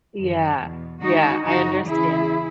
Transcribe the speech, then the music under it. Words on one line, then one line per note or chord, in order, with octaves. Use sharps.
Yeah, yeah, I understand.
F#2 D#3
E2 B2
G#2 D#3 D#4 F#4
F#2 C#3 E3 D#4 F#4
E2 C#3 E3 E4 G#4